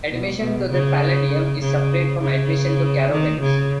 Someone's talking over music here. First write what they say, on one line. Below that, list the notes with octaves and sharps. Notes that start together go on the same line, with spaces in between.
Admission to the Paladium is separate from admission to Carowinds.
B2
B2
C#3
C#3
C#3
D#3
C#3